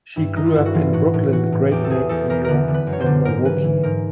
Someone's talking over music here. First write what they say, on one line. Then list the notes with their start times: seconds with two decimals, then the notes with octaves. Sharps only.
She grew up in Brooklyn, Great Neck, New York, and Milwaukee.
0.16 G2 E4
0.36 E3 D#4
0.46 F4
0.55 G2 E4
0.66 F#4
0.74 E3 F4
0.93 A2 F#4
1.14 A2
1.33 E3 F#4
1.52 A2
1.71 E2 G4
1.85 A4
1.90 E3 G#4
2.09 E2 A4
2.29 E2 A#4
2.45 D3 A#4 B4
2.68 D3
2.74 B4
2.87 F#2
2.93 C#5
3.00 C5
3.06 D3
3.25 G#2 A#4
3.45 E3 B4
3.64 E3
3.83 G#2 A#4